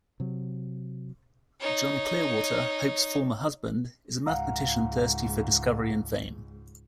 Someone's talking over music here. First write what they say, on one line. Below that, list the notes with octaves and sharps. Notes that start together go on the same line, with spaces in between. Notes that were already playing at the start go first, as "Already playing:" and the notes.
John Clearwater, Hope's former husband, is a mathematician thirsty for discovery and fame.
C3 F#3
D#4 C#5
C#2 G#2 F5 F#5 A#5